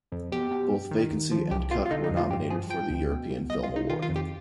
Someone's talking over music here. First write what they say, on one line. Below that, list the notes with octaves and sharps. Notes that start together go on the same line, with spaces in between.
Both Vacancy and Cut were nominated for the European Film Award.
F2
B2 G4
B2
G2
D#3
D#2
F3
C2 G4
B2 F4
F4
D3 D#4
D#4
F2
F4
G2 G4
F3 G#4
F3 G5
D2
B2
C2
C2 D#5
F4
C2
D#4
D#3 F4
F4
F2
G4